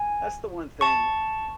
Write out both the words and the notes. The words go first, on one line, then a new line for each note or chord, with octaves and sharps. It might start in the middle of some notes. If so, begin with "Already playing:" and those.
that's the one thing
Already playing: G#5
A5 C#6